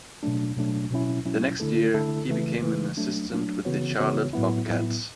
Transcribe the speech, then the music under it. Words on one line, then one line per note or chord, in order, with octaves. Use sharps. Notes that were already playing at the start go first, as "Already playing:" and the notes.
The next year, he became an assistant with the Charlotte Bobcats.
B2 F#3 A3 D4
B2 F#3 A3 D4
B2 F#3 C#4 E4
B2 F#3 C#4 E4
D3 A3 E4 A4
D3 A3 E4 A4
C#3 E3 A3
C#3 E3 A3
F#3 A3 D4
F#3 A3 D4
C#3 E3 B3 F#4 C#5
C#3 E3 B3 F#4 C#5
A2 F#3 B3 E4
A2 F#3 B3 E4